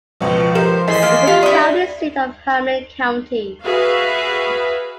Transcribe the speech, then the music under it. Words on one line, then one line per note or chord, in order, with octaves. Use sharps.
It is the county seat of Hamlin County.
C#2 B2 F3
G4 A#4 C5
A1 G#4 D#5 E5 G#5 C6 B6 C7
A#3
F4 G4
D4 E4 D5 D#5
F#4 G#4 B4 E5 F5